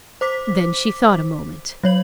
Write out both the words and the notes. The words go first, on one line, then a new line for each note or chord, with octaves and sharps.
Then she thought a moment.
C5 D6 B6
F#3 C#5 F#7